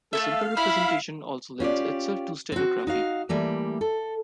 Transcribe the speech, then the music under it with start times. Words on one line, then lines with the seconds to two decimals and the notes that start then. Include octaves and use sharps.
The simple representation also lends itself to steganography.
0.13 A3 C#4 A4 E5 F5
0.57 E4 B5 F6
1.60 C#4 F4 G4 D5
2.52 C4 F#4
2.87 D#4 F#4 F5
3.29 E3 G3 A3 A#3
3.81 A4